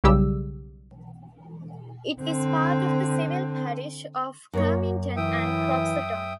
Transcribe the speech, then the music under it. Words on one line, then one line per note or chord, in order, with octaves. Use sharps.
It is part of the civil parish of Kirmington and Croxton.
B1 C#3 G3 G4 E6
D3 C4
F#2 A#3 C#5
E3 E5 G5 D#6